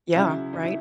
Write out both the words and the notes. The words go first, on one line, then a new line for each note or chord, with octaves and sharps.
Yeah, right?
C#2 C#3 F#3 E4
D#4
E4